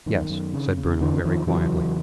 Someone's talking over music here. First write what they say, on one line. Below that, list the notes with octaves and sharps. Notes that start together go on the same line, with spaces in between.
"Yes," said Bruno, very quietly.
F#2 D#3
F#2
C#3
C#3
E2 D3 E3
E2 D#3 F3
C#3 E3 F#3
E2